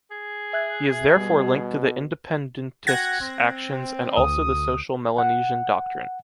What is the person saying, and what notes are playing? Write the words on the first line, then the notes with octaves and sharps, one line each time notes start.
He is therefore linked to the independentists ‘s actions and also the social Melanesian doctrine.
G#4
E5 F#6 G#6
B2 G3
F#4 F#5 G5 F#6 G#6 A#6
C4
D2 D#6
F#5